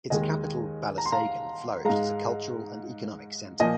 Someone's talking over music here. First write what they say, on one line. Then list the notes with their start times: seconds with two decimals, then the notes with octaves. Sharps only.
Its capital, Balasagun flourished as a cultural and economic centre.
0.10 D#2 D#3 G#3 D#5 G#5
0.98 A#5
1.06 C6
1.12 F5 A#5
1.85 G#2 G#3 F5 A#5
3.60 A#2 F3 D#5 G#5